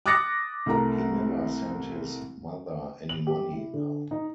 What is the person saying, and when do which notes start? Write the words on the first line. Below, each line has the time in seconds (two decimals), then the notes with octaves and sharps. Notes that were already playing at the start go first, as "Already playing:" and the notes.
He never sent his mother any money now.
0.06 D6 D#6 F#6 A6 A#6 C#7
0.66 C2 A3 A#4 A#5
3.09 F#7
3.27 G4
3.53 E4
3.74 D3
4.11 D#4